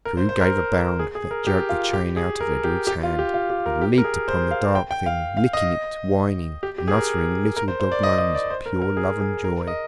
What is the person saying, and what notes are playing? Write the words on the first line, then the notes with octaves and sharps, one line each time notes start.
True gave a bound that jerked the chain out of Edred's hand, and leaped upon the dark thing, licking it, whining, and uttering little dog moans of pure love and joy.
A#4
C5
C5
A#4
G#4
G#4
A#4
G4
F4
G4
G#4
A#4
G4
G4
F4
G4
F4
G4
A#4
G4
A#4
G#4
C5
F5
G5
G5
F5
F5
D#5
G4
G4
G#4
A#4
A#4
C5
C5
D5
D#5
D#5
D5
C5
A#4
A#4
G#4
G#4
A#4
D#5